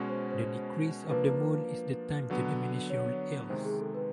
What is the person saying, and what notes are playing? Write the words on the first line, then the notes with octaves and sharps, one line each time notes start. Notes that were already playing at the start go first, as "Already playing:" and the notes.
The decrease of the moon is the time to diminish your ills.
Already playing: B2 G#3 C#4 F#4
C5
C5
F3 A#3 D4 B4
D3 F#3 B3
C#5
C3 D#3 G#3 C5
G#4
A4
B4